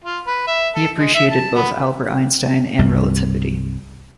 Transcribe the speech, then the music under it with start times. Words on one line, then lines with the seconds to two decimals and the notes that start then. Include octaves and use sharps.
He appreciated both Albert Einstein and relativity.
0.04 F4
0.27 B4
0.47 E5
0.75 A4
0.98 G#3
1.14 E5
1.30 A5
1.55 B3
2.79 C2 G2